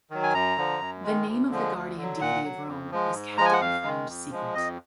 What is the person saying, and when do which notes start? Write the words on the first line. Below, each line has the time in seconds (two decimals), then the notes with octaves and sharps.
The name of the guardian deity of Rome was kept a profound secret.
0.10 D#3 F#3
0.23 G#5
0.34 F#2 A#5
0.57 D3 F3
0.81 F#2
1.04 D#3 G#3
1.27 D2
1.51 D3 F3 G#3
1.74 D2
1.97 D3 F#3
2.21 A#2 F#5
2.44 F#3
2.67 F2
2.91 F3 G#3
3.14 G#2
3.38 F3 G#3 A#5
3.45 G#5
3.53 F#5
3.61 F2 F5
3.84 D#3 G#3
4.08 F2
4.31 F3 G#3
4.54 F2 D#5